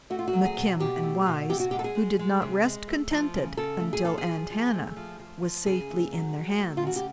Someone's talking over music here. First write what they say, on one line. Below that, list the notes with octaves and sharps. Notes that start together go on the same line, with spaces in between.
McKim and Wise, who did not rest contented until Aunt Hannah was safely in their hands.
A3 F#4
F4
F#4
F#3
G#4
B2
B2 G4
A3
B2
C3 G4
F#4
G#3 G4
A4
G#4
G#3
G#3
C3
G#3
A3
F3
C#3
C#3 A4
A3
G#4
F3 A4
G#4
F3
F3
A3
F3
F3
F3
C#3 G#4
A3
F#3
F#3
A3
F4
C#3 F#4
G4